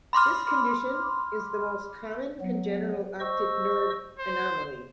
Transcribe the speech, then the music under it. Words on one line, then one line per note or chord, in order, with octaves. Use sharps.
This condition is the most common congenital optic nerve anomaly.
B5 C6 D6 F6
F#3 B3
C5 D#5 C#6 E6
C5